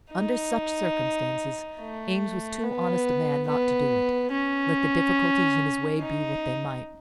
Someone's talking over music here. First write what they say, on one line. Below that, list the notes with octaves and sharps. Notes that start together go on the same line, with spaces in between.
Under such circumstances Eames was too honest a man not to do it, let the difficulties in his way be what they might.
D#4
A3
B3
B3
C#4
D#4